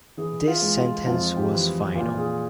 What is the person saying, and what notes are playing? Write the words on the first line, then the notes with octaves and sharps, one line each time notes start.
This sentence was final.
E3 G#4
F4
G#3
F4
F2 F4
G4
E3
A#2 F4
G#4